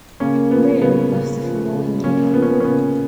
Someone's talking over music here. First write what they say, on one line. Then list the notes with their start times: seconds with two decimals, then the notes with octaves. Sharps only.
Roe left the following year.
0.20 C#3 A#3 C#4
0.51 F3 B3
0.81 C#3 B3
1.12 C#3
1.43 F3
1.73 C#3
2.04 C#3 A#3 C#4
2.34 F3 B3
2.42 C#4
2.51 B3
2.60 C#4
2.64 C#3 B3